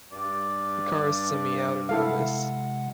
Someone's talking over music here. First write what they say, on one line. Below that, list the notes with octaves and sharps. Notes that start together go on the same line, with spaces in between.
The car was semi-autonomous.
G2 D5
C3 G#3 E4 A4 F5 F#5